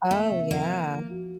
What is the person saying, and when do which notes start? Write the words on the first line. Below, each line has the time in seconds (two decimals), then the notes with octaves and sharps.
Oh, yeah.
0.11 A3 A#3
0.31 C3
0.50 F3 A#3
0.71 F3
0.91 F3
1.10 F#4